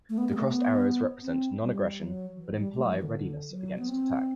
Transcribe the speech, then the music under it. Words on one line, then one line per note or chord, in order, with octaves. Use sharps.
The crossed arrows represent nonaggression, but imply readiness against attack.
A3
B3
B3
G3
A3
B3
C4
G3
F#3
E3
G3
A3
F#3
E3
D3
F#3
B3
C4